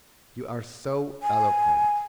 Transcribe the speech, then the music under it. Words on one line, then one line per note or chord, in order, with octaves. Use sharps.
You are so eloquent.
G#5